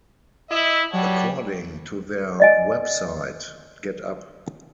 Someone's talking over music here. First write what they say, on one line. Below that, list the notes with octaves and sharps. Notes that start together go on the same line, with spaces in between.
According to their website, GetUp!
E4 D#5 E5
F#3 G3 C#5 F#5 A5
D5 D#5 G#5